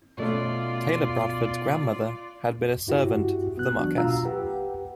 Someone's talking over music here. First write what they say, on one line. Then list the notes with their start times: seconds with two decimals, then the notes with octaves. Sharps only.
Taylor Bradford's grandmother had been a servant for the Marquess.
0.18 B2 A3 C#4 F4 D5
2.87 G2 E4 F#4 G4
3.57 B3 F#6
3.79 E3 F#3 D4 F#4
3.97 B2 A3 F4 F5 A#5 E6
4.25 G4 B4 F#5 G5